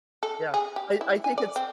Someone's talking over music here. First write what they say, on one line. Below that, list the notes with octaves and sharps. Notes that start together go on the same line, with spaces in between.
Yeah, I I think it's
A4
G#4
G4
E4
G#5
D5
C4